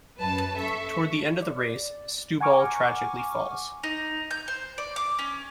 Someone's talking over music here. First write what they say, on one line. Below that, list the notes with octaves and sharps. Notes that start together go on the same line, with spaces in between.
Toward the end of the race, Stewball tragically falls.
F#2 B4 A5
A4 E5 C#6
D5
F#5 G#5 A#5 C#6 D6 F6
D#4
G6
C5
D5
D6
C#4